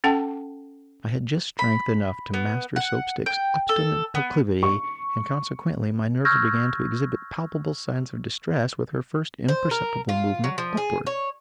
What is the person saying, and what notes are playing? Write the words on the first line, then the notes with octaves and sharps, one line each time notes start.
I had just strength enough to master Soap-stick's obstinate proclivity, and, consequently, my nerves began to exhibit palpable signs of distress with her first imperceptible movement upward.
C#4 A4 F#5 G5 A5
B5
B3
F#5
G5
A4
B3
C#6
C#6 E6 F6 G6 G#6 A#6
C5
A#4
F4
F#3
F3
G#4
C#5